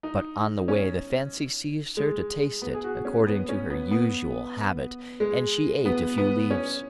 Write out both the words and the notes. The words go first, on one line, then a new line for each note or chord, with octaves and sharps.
But on the way the fancy seized her to taste it, according to her usual habit, and she ate a few leaves.
D#4
C#4
G#3
B3
G#4
F#4
C#4
B3
C#4
B3
B3
G#3
B3
B3
C#4